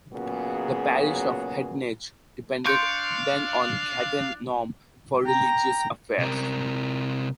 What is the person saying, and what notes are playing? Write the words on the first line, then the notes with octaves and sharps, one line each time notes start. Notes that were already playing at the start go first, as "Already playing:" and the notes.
The parish of Hettange depended then on Cattenom for religious affairs.
A#2 C#3 F#3 B3 F#4 G#4
D4 F5 C6 C#6 G6 C#7 D7
G5 A#5
C3 A#4